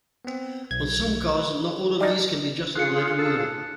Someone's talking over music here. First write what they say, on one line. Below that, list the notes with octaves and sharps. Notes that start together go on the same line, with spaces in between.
On some cars, not all of these can be adjusted on every wheel.
B3 C4
B1 G#6
B4
G3 D#4 D5
F4 G#4 F5 F#6 C#7
A4